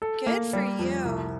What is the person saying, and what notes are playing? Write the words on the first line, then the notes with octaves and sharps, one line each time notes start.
Good for you.
A4
A#3
G3
F2
C2